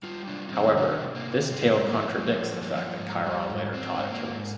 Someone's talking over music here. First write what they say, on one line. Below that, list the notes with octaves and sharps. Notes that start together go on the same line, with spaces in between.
However, this tale contradicts the fact that Chiron later taught Achilles.
G3 F4
C3 D4
D4
D#3 C4
C3 D4
C3
A#3
C3
G2 C4
G#3
A#3
F3
F3
G2
F3
G#2
G3
G#2
G#2 C4
D4
G#2 C4
A#3
G#2